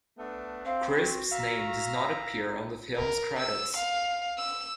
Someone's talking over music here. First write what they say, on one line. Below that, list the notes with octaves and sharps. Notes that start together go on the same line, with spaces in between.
Crisp's name does not appear on the films credits.
A3 B3 D4
C4 F5
F#4
E5 F5 A#5
D#4
A#4
E6
F5
E6